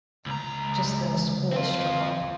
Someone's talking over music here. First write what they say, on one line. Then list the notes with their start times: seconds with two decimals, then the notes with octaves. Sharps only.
Just then a squall struck up.
0.26 C#2 A#5
1.53 C4 F4